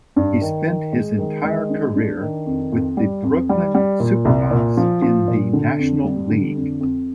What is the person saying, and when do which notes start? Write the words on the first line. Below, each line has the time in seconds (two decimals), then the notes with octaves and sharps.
He spent his entire career with the Brooklyn Superbas in the National League.
0.16 G2
0.42 D#3
0.68 D#3
0.93 G#3
1.19 D#3
1.44 G#3
1.70 D4
1.96 D4
2.21 D#3
2.46 F2
2.72 F2
2.97 G3
3.24 F2
3.49 G3
3.75 G3
4.00 A#2
4.25 C2
4.51 A#2
4.77 F3
5.02 F3
5.28 A#2
5.53 D3
5.79 F2
6.04 G3
6.30 D3
6.56 F2
6.81 F2